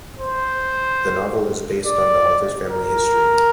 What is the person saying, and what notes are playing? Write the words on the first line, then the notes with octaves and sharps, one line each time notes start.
The novel is based on the author's family history.
C5
D5
A#4